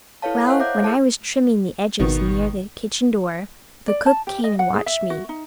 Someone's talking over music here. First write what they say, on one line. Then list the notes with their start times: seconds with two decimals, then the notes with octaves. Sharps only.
Well, when I was trimming the edges near the kitchen door, the cook came and watched me.
0.22 E4 A4 B4 C#5 F5 A5
0.46 C5 C#5 D#5 F5 F#5 F#6
0.60 E5 A#5 D6 F#6 G6
0.82 E4 G#4 A4 A5 D6
2.00 G#1 B2 D#3 B3
3.88 D5
4.06 A5
4.27 G4
4.44 D#5
4.59 F#5
4.74 G#4
4.86 E5
5.10 F#4
5.29 D#4